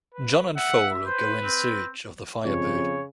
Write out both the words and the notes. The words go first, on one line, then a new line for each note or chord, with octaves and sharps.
John and Foal go in search of the Firebird.
B4
E5 F#5
B4 C5
C4
F2 C#3 C#5